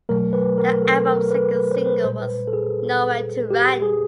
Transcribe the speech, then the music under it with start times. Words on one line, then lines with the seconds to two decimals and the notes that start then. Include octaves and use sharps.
The album's second single was "Nowhere to Run".
0.09 B2 F#3 A3 A#4
0.33 B4
0.58 A#4
0.82 A4
1.07 A#4
1.31 B4
1.55 B4
1.71 C5
1.87 B4
2.04 A#2 G3 C5
2.20 B4
2.47 A4
2.53 G#4
3.51 G4
3.82 G#4